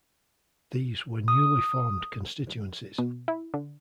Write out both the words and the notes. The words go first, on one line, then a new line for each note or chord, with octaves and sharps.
These were newly formed constituencies.
D#6
B2
E4
D3